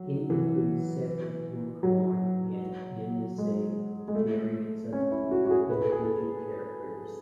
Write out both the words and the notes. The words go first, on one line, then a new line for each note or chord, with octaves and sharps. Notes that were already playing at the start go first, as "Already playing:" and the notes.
It includes separate "Orkhon" and "Yenisei" variants of individual characters.
Already playing: F#3
E3
F#3
G#3
G#3
A3
C#4
E4
F#4
F#4
G#4
B4
A4
G#4
A4